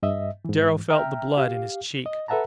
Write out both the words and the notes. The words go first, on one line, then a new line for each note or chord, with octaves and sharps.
Darrow felt the blood in his cheek.
G2 D#5 E5
G#2 E3
E5 G5 A#5 F6
G4 F5
D#5
A4 B4 E5 F#5 A5 A#5